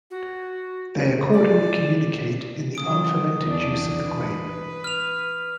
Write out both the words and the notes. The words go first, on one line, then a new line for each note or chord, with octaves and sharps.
They accordingly communicate in the unfermented juice of the grape.
F#4
D5
C#3 F3 F#3 D#6 D7
E2 D4
B4
F6 F7